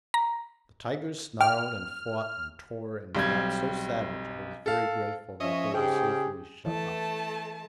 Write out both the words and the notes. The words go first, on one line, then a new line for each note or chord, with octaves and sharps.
The tigers snarled and fought and tore and got so savage I was very grateful that they were safely shut up.
A#5
G5 F6
B1 G3 C4 G#6
A4 F5
F3 C#4 C#5 D#5 E5
G#2 C#3 G4 G#4 G5
E3 A3 A5